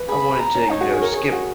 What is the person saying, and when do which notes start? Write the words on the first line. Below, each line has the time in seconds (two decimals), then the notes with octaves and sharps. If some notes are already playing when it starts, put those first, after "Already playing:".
I wanted to, you know, skip,
Already playing: B4
0.09 G#4 B5
0.39 A#5
0.55 C#4
0.70 D#4 C#5
0.81 F#4
0.91 G#4
1.02 A#4
1.12 G#4
1.23 G#4
1.33 F#4